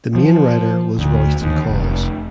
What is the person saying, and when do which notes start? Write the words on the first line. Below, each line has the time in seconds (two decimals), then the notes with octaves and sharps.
The main writer was Royston Caws.
0.15 F3
0.99 D2
1.41 D#2
1.69 F1